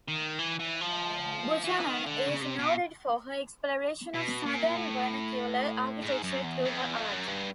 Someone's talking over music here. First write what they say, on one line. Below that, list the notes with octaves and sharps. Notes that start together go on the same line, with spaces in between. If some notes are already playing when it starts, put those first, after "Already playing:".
Buchanan is noted for her exploration of Southern vernacular architecture through her art.
D#3
E3
E3
F3
E3
D#3
D3
C#3
C3
B2
B2
A#2
A2
G#2
F#2
E2
F2
E2
F2
F#2
G2